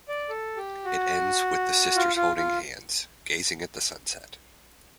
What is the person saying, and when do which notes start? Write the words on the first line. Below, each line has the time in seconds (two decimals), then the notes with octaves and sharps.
It ends with the sisters holding hands, gazing at the sunset.
0.08 D5
0.29 A4
0.57 G4
0.85 F#4
1.96 F4
2.16 F4
2.37 F4